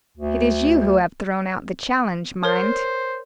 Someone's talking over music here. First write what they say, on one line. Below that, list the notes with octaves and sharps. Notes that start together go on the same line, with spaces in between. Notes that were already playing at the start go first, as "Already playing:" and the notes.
"It is you who have thrown out the challenge, mind."
D2
A#4 C5 C#5